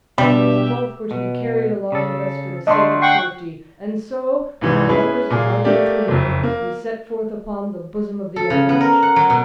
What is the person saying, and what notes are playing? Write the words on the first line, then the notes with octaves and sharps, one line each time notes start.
Both were to be carried along with us for the sake of safety; and so, with our numbers divided between them, we set forth upon the bosom of the anchorage.
G2 B2 G3 G4 E5
B2
C#3 A4
D3 A3 D4 D#5 C6
F#5 G5 C#6 C7
C2 G#2 E3
C#4 E4 G#4 B4
A#2 G#4 F5
A3 A#3 G4 D5
F#1 F2
A#3
A4
C#3
B3
A#4
F#5
F#3
B2